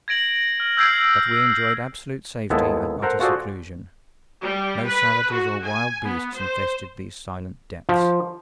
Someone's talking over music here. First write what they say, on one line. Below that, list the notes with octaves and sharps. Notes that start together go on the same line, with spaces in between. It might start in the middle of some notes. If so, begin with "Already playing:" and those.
But we enjoyed absolute safety and utter seclusion; no savages or wild beasts infested these silent depths.
G#6 A#6 D7 F#7
F6
E6 G6 G#6 C7 D7
D#2 G#3 B3 E4 A4
A4 A#4 C5 F#5 A#5
F4 F#4 G#4 A4 C5 D5
G3
B4
F#4
G#5
B3
C5
F3